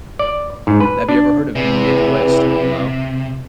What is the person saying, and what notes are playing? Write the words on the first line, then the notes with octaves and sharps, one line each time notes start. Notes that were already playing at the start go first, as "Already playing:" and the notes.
Have you ever heard of Midwest emo?
D5
G#2
B4
D4
E2 C3 E3